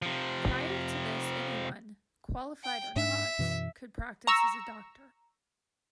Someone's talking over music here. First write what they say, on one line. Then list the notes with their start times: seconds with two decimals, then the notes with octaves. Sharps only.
Prior to this anyone, qualified or not, could practice as a doctor.
0.02 C3 F3
2.64 G5
2.96 G#2 D4 E5
3.39 F#2 B2 E3
4.27 A#5 C#6 E6